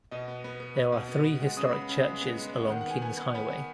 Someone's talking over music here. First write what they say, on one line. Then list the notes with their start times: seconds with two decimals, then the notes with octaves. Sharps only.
There are three historic churches along Kings Highway.
0.11 B2 D#5
0.28 B3
0.44 B3
0.60 B3
0.76 B3
0.92 B2
1.08 B3
1.24 B3
1.40 G#3 F#5
1.57 C#3 D#6
1.72 B3 B5
1.89 C#3
2.05 G#3
2.21 B3
2.38 G#3
2.54 B3
2.70 D#3 F#5
2.81 F#5
2.87 B3 G#5
3.02 B3 G#5
3.18 B3
3.35 B3 B5
3.51 B3